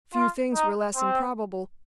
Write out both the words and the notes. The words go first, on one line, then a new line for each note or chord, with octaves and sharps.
Few things were less improbable.
F4
D#4
C4